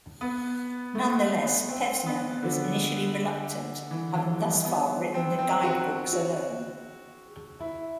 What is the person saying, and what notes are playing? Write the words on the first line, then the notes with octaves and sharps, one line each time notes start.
Nonetheless Pevsner was initially reluctant, having thus far written the guidebooks alone.
B3
A3
A3
B3
C4
B3
D3
E3
E3
G3
B3
C4
C4
F#4
F#4
E4